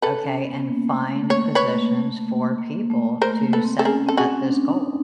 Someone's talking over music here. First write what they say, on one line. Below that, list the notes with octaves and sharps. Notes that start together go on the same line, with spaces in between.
okay, and find positions for people to set this goal?
A4 B4
C#4
B3
A#3
A3
A3
A3
A#3 C#5
B4 C#5
A#3
A3
A#3
A3
A3 A#4 C5
A#3
A4 B4
C4
A4
C#4 G#4 A#4
C4 A4
F#4 G#4
C#4
D4
D#4